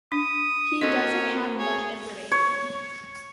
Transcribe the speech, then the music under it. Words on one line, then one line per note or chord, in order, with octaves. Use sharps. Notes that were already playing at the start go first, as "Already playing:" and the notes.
He doesn't have much information.
D4 D#6
A#3 C4 C#4 F#4 A4 D#5
G#4 C#5
C#5